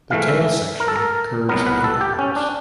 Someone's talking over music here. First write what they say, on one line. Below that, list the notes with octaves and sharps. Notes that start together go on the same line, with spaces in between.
The tail section curves outwards.
G#2 E3 A3 F5
E5
A#4
A4
A#4
C2 B2 F#3 B3 A#4
B4
A4
G4
C#4
D4